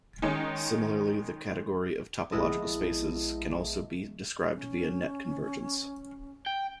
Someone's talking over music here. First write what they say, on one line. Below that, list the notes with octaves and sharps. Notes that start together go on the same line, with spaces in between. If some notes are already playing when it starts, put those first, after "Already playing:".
Similarly, the category of topological spaces can also be described via net convergence.
D#3 G#3 C#4 D#4
A#1 G#3 B3 E4 D#5 A5
C#4
G5